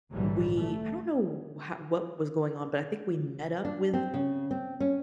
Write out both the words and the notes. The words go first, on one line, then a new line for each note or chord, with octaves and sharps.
we I don't know h what was going on, but I think we met up with
A#1 G#2 D3 E3 F#3 G3
A3
D4
C4
C#3
C4
C#4